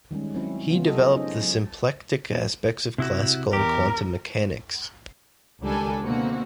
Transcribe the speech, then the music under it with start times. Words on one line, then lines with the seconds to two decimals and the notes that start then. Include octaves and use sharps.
He developed the symplectic aspects of classical and quantum mechanics.
0.11 D#3 G3 G#3 C#4
0.35 F#3 C4 C#4 E4
0.70 C#3 B3 C#4 F4
0.86 F#3 F#4 G4 A4 D#5
1.15 C#4 D#4 G#4 C5 D#5
1.42 F#3
2.98 C3 E4 F#4
3.53 E2 G4 A#4
5.62 C#2 D#3 G3 D4 A4 G#5
6.02 B2 D3 A#3 C4 F#4